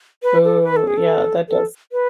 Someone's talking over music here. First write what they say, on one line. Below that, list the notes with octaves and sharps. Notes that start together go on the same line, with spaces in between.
Ooh, yeah, that does
B4
A4
B4
A4
G#4
A4
A4
B4